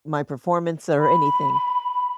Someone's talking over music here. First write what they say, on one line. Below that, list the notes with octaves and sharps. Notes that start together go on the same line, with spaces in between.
my performance or anything.
B5